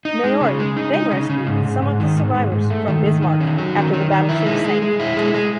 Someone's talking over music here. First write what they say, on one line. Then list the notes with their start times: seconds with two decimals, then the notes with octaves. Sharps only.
"Maori" then rescued some of the survivors from "Bismarck" after the battleship sank.
0.05 D#4
0.24 G#3
0.41 C#3
0.59 G#3
0.77 D#4
0.93 D#4
1.11 C#3
1.30 C#3
1.47 G#2
1.65 G#2
1.82 G#2
2.00 D#3
2.17 G#2
2.34 G#2
2.52 G#2
2.70 A3
2.88 D#3
3.05 D#3
3.22 D#3
3.41 C#4
3.58 F#3
3.75 D#3
3.94 D#3
4.11 D#3
4.29 E4
4.46 G#3
4.64 G#3
4.82 G#3
5.00 E4
5.17 G#3
5.34 G#3